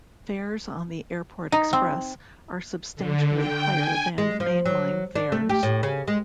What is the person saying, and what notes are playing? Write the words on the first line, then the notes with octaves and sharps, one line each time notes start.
Fares on the Airport Express are substantially higher than main line fares.
D#4
C4
D3
G5
G#5
G#3
F3
F#3
D4
A3
G4
A2
C#3
G#3